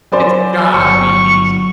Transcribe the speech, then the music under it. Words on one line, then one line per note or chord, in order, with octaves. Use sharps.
it's gotta be decent.
F#3 C5 D5 G#5
G1 F#3 C#6